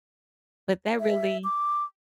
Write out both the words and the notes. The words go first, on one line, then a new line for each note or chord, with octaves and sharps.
but that really
E5
D6